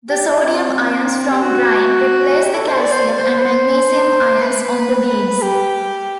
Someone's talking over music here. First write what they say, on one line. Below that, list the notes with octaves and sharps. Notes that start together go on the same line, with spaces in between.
The sodium ions from brine replace the calcium and magnesium ions on the beads.
G4
E4
C4
G4
F#4
G4
A4
C5
D5
C5
C5
C5
B4
C5
B4
G4